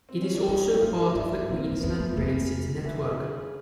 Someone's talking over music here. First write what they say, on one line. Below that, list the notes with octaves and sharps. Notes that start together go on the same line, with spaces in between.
It is also part of the Queensland Rail City network.
C4
C#4
D4
A2 C#4 D#4
G2 D#4 F4
G#2 D4 E4
A2
B2 A#3 C4
A2
F2 A3 B3
E2
F2 G#3 A#3
F2
F#2 D3 E3
D3
C#3